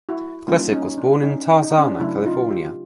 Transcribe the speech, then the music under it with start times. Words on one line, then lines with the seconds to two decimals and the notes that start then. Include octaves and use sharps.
Klesic was born in Tarzana, California.
0.09 E4 F#4
0.48 E3 G3 A#3 C#4 D#4 F4
0.72 C#4 D#4
0.98 D4
1.23 C#4 D#4
1.62 D#4
1.71 D4
1.78 C#4
1.86 D4
2.00 C#3 F#3 A3 C#4 D4 E4
2.26 D#4 F4
2.51 F4 G4